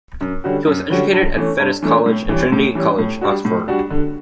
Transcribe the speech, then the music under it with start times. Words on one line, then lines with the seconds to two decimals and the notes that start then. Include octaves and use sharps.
He was educated at Fettes College and Trinity College, Oxford.
0.21 F#2
0.44 D3 G3 C#4 F#4
0.67 F#2
0.90 D3 G3 C#4 F#4
1.13 G2
1.37 E3 A3 C#4
1.59 G2
1.82 E3 A3 C#4
2.06 A2
2.29 E3 G3 C#4
2.52 A2
2.75 E3 G3 C#4
2.99 A2
3.21 G3 D4 F#4
3.45 A2
3.68 G3 D4 F#4
3.91 D3